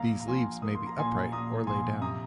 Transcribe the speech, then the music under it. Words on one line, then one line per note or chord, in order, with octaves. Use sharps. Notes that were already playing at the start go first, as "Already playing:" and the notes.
These leaves may be upright or lay down.
Already playing: A#1 A#2 F5 A#5
A#5
A#1 G#5 C6
A#3 D#6
C6
A#5
A#2 G#5 C6
A#2 A#5 D#6
A#1 G#5 C6
C3 A#5 D#6